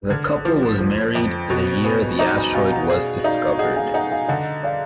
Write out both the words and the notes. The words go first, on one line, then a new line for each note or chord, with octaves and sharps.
The couple was married the year the asteroid was discovered.
D3 F6 G#6
D#6 F#6
F3 D6 F6
D#6 F#6
F3
F2
B2 F#6 A#6
B3 G#5 B5
D#4 A#5 D6
G#5 B5
B2 F5 G#5
F#5 A#5
G#4 D5 F5
D#4 D5 F5
G#4 D#5 F#5
F5 G#5
D#4 D#5 F#5
F5 G#5
D3 D#5 F#5
D5 F5